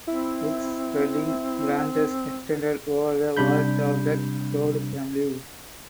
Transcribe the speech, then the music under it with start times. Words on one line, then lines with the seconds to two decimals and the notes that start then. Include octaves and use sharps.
Its spreading branches extended over the vault of that proud family.
0.07 C4 E4
3.37 C3 G3 D4 B5 G6